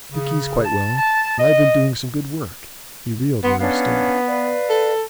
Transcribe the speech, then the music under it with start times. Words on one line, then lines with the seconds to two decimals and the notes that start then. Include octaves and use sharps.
Binkie's quite well, and I've been doing some good work.' He reeled where he stood.
0.12 C#3
0.64 A5
0.98 A5
1.39 D#5
3.44 B3 F#5 C6
3.60 B3 C#4 D4 F5
4.27 B4 D5 F5
4.70 A4